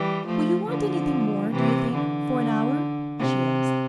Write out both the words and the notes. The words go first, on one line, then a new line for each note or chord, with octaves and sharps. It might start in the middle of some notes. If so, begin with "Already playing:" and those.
'Will you want anything more, do you think, for an hour?' she asked.
Already playing: E3 G3
F3 A3
D3 F3
C3 E3
D3
C3